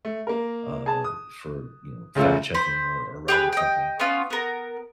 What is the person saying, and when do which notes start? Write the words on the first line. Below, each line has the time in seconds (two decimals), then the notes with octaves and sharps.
uh, for, you know, fact checking or or writing something.
0.05 A3
0.27 A#3 A#4
0.86 G#4 A5
1.04 D#6
2.15 C#2 C#3 A3 F4 E6
2.54 C5 B5
3.28 G4 G#4 B4
3.53 D#5 G5
4.00 B3 C#4 F4
4.30 B3 A#4